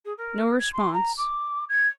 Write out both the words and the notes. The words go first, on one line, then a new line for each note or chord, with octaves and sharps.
No response.
G#4
A#4
G#6
C6
A#5
D6
G#6